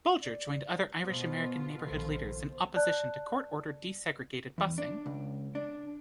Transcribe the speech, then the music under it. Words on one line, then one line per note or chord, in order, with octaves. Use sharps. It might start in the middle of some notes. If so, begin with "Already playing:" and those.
Bulger joined other Irish-American neighborhood leaders in opposition to court-ordered desegregated busing.
D5
B2 B3 F4 C5
A#1 D#3 A4 C5
D5 A5 F#6
E2
D4
C#2
D4